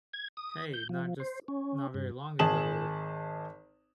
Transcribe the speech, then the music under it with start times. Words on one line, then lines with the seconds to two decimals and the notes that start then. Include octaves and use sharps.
"Hey, not just not very long ago
0.13 G#6
0.37 D#6
0.74 G6
0.89 F3
1.20 C5
1.48 C#4
1.94 G2
2.39 G#1 G#4 A5 E7 F#7